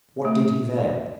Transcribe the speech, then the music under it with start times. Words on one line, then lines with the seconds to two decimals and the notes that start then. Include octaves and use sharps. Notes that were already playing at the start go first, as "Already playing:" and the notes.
What did he there?
0.25 A3